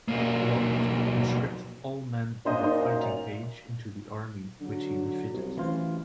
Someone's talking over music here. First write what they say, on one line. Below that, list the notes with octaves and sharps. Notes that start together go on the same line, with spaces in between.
Robert conscripted all men of a fighting age into the army, which he refitted.
B1 A#3
F#2 A#2 D4 C5 D#5
D#4 C5
F7
D3 F#3
C2
A1 E3 F4 C5